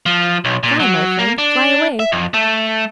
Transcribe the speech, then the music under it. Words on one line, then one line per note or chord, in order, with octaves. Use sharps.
Fly, my friend; fly away.
F3
B1
A#2
F#3
A#3
D4
E5
F2
A3